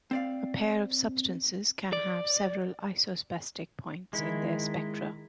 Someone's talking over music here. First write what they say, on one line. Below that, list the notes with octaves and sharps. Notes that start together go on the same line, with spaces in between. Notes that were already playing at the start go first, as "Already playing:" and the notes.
A pair of substances can have several isosbestic points in their spectra.
C4 D5 F5
D5
D#3 G#3 E4